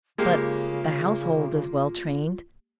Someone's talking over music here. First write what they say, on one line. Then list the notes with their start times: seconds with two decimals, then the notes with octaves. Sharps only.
But the household is well trained.
0.18 C#3 G#3 A#3 F4 G4